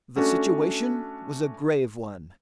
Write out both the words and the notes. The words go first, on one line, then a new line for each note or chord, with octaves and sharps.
The situation was a grave one.
A3 C#4 D4 F#4